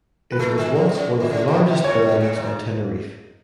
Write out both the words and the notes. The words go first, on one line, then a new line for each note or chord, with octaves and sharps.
It was once one of the largest buildings on Tenerife.
B4
A3 A4
D#3
C#3
B2
C#3
D#3
C#3
B2
B2
A2 C#5
B2
A2
A2
G#2